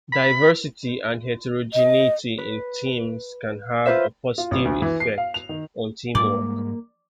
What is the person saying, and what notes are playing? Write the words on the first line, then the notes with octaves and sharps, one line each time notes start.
Diversity and heterogeneity in teams can have a positive effect on teamwork.
B5
D#5
B4
F4 B4 C5 E5
F4
A1
D2
E3
C7
F5
F7
D#3
G#2 G3 G#3 A#3 D5